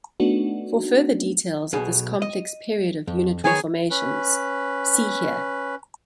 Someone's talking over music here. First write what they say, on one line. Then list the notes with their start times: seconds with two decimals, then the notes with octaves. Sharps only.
For further details of this complex period of unit reformations, see here.
0.20 A3 B3 D4 D#4 F#4
1.73 B1 B2 G#4
2.22 D#5
3.08 F2
3.44 D#3 B3 G#4 C#5 G#5
3.90 C#4 B4